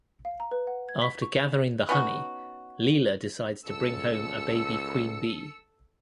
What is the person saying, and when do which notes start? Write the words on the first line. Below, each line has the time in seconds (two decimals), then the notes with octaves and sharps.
After gathering the honey, Leela decides to bring home a baby queen bee.
0.25 F5
0.40 A#5
0.51 B4
0.67 F#5
0.89 G#6
1.02 B6
1.22 C#6
1.89 B3 C#4 D#4 F#4
3.67 C#2 A4 E6 C#7